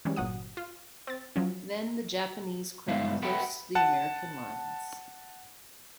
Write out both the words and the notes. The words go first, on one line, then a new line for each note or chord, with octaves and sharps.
Then the Japanese crept close to the American lines.
E3 G3 G#3 C#4
G1 A#2 F#3 F#5 D#6
F4
C4 A6
F3 F#3 C#4
G2 G#3 B3 D#4 E5 F5
A4 B4 E5 F#5 G5 B5
F#5 A5